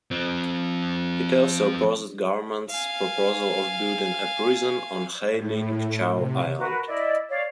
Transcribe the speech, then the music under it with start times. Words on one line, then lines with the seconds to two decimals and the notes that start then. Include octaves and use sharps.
It also opposed government's proposal of building a prison on Hei Ling Chau Island.
0.11 F3 C4
2.70 F5 G#5
5.32 A2
6.14 C3
6.57 F#4 A#4 B4
6.87 E4 D5 D#5
7.29 C#5 D5 F5